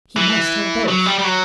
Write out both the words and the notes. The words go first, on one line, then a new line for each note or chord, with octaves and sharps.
He must have both.
E3
F#3
G3
G3
F#3